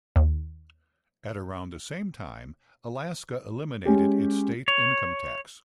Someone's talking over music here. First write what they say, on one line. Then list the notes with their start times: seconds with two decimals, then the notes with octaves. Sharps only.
At around the same time, Alaska eliminated its state income tax.
0.16 D#2
3.85 G#3 C#4 G4
4.68 C#5